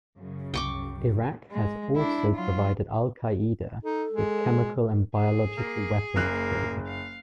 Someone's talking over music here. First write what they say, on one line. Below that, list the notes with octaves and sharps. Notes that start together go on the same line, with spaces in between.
Iraq has also provided Al Qaeda with chemical and biological weapons training.
F#2 C#3
C2 G5 C#6 D6
G#3
D4 E4
F#3 F4
D#4 A4
G#3
G#4
A#3
F#1 A#3 F#6
F5